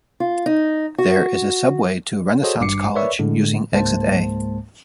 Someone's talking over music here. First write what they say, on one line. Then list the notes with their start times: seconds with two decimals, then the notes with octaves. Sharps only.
There is a subway to Renaissance College using Exit A.
0.20 F4
0.46 D#4
0.98 F#4
2.43 F#4 G#4 A4 C5 C#5 D#5
2.60 G#1 G2 G3 D6 C7 C#7
2.95 A#4 B4 C#5 D5 E5 C#6
3.19 A2 D3 G#3
3.72 C#2 G#2 G#3 A#3 C5 A5